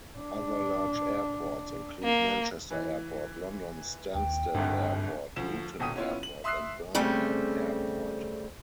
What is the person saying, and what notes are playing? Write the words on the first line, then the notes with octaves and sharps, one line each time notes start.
Other large airports include Manchester Airport, London Stansted Airport, Luton Airport and Birmingham Airport.
D4
A#3
E3
D#2 G5
D1 G#1 D2 G2
D2 F3 E7
D#1 D2 B2 G5 D#6 D#7
B3 C#4 E4 F4
F#7
E5 C6 D#6 E6 F#6 C7
C#3 G3 A3 C4